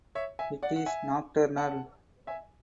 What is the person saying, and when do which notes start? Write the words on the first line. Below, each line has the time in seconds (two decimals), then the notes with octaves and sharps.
It is nocturnal.
0.15 C#5 E5
0.39 E5 G#5
0.63 D5 F#5
0.76 F#5
0.86 E5 G#5
1.57 F#5 A5
2.27 E5 G#5